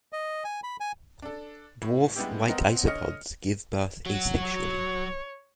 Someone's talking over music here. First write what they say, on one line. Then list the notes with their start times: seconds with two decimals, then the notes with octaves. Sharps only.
Dwarf white isopods give birth asexually.
0.13 D#5
0.45 G#5
0.64 B5
0.80 G#5
1.22 D4 A4
1.82 A2
2.16 G3 G#3 B3 D4 E4 G4
2.47 B3 C4 A#4 D#5 F#5
2.86 D3 C#5 D#5 F6 C#7
4.06 F#3 F#4
4.39 C#5